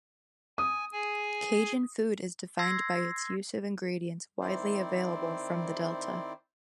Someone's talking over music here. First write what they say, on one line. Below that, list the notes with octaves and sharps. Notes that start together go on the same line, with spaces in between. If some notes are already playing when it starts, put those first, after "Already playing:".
Cajun food is defined by its use of ingredients widely available from the delta.
G#5 D#6
G#4 G#5
C6 E6 G#6 A#6 C7
D#3 C4 E4 C5 D5